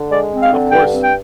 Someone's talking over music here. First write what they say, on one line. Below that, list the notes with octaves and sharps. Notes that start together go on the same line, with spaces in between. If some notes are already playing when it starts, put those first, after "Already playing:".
No, of course.
Already playing: D3
G#3 D5
C4
F5
D3
G2 G5
C4
G5